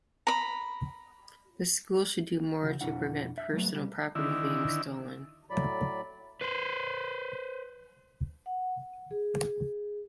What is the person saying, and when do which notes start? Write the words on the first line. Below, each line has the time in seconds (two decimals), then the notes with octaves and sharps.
The school should do more to prevent personal property being stolen.
0.27 A#5 B5
2.62 D2 C#3 E3 F#4
2.81 F2 B2 D4 E4 F#5
3.38 E5
3.53 F#3 G3 A3 B3
3.74 C2 G3
4.15 D3 D#3 E4
5.50 A2 F#3 D5 B5
6.41 B4 C5
8.46 F#5
8.82 F#5
9.11 G#4